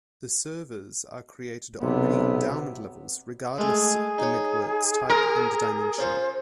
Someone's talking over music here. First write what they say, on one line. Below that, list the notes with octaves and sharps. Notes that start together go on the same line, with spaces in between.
The servers are created on many endowment levels regardless the networks type and dimension.
B1 C3 B3
G#3 A3 G#4
D#4 C#5
C4 A#4
C#4 F4 C5 C#5